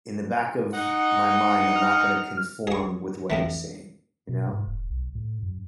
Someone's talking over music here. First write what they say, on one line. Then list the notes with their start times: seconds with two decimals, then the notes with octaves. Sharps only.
in the back of my mind, I'm not gonna conform with what you're saying, you know.
0.73 D#4 F#5
1.76 F6
2.67 G#4 C#6
3.30 F2 A2 E3
4.29 B2
4.53 G#2
4.67 E1
4.90 B1
5.15 A2
5.42 F#2